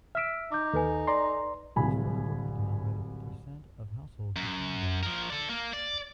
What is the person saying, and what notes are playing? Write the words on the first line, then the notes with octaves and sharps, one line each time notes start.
It is further broken down by the percent of households with handguns.
E5 E6 F6 B6 D7
D#4 D6 G6
D#2 A4 B4 G#5
D5 A#5 C6
D1 C2 G#5 B5
F#2
F3 A#4
A4 D5
A#3
D5